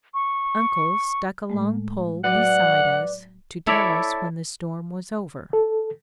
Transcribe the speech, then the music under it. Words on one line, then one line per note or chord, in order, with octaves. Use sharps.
Uncle stuck a long pole beside us to tell us when the storm was over.
C#6
A2 G#3 A3
F#3 F#4 B4 D5 F#5
E4 A4 C#5 D5 E5
A4